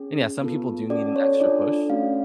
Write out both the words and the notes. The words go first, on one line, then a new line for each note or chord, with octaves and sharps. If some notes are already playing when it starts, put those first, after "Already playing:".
And, yeah, some people do need an extra push,
Already playing: C#4 G#4
B3 F4 A4
C#4 F#4 A4 D5
C#5
D4 F4 A4 D5
A3 C#4 F#4 F5